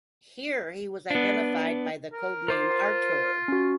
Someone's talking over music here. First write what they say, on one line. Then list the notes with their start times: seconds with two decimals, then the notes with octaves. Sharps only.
Here he was identified by the code name "Artur".
1.10 B3 D4
2.12 A#4
2.48 F4 A#4 C5 D6
3.48 C#4 F#4